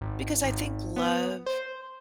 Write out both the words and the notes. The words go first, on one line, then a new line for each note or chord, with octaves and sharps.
because I think love
G#1
G#1
B3
C5